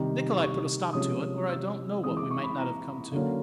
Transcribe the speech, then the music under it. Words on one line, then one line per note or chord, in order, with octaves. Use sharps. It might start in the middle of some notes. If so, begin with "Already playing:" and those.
Nikolay put a stop to it, or I don't know what we might not have come to.
Already playing: C3 D#3 G3
C#6
C3 F3 G#3 C#4 D#6
E6
E3 G#3 C4 D#6
D6
C#6
B5
A#5
D3 F#3 A#3 C#4